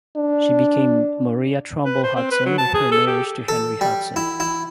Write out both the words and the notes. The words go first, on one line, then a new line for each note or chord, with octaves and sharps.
She became Maria Trumbull Hudson with her marriage to Henry Hudson.
D4
B4
C5
C4
B4
F#3
A5
G#4
A4
G4
A4
G3
E4
E4